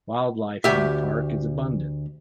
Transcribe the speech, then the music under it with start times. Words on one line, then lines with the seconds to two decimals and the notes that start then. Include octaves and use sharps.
Wildlife in the park is abundant.
0.64 D2 G4 E5